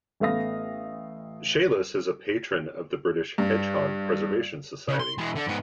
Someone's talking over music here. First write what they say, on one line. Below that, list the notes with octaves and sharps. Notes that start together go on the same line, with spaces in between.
Challis is a patron of the British Hedgehog Preservation Society.
A1 A3 B3 F5 D#6 A#6
G2
C#3
C6
E3 G#3
D3
G#2 B3